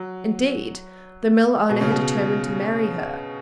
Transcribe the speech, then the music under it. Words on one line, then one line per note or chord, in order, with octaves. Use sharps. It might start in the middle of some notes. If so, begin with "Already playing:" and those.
Indeed, the mill owner had determined to marry her.
Already playing: F#3
B2
C#3
B2